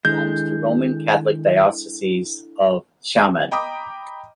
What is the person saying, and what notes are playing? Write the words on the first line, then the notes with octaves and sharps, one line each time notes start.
It belongs to Roman Catholic Diocese of Xiamen.
D#3 G#3 D4 E4 A4 G6
D#5 G5 A#5 B5 D6 D#6